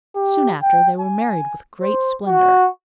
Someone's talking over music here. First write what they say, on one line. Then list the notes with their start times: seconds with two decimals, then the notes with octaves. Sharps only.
Soon after, they were married with great splendour.
0.15 G4
0.62 G5
1.00 G#5
1.81 C5
2.27 F#4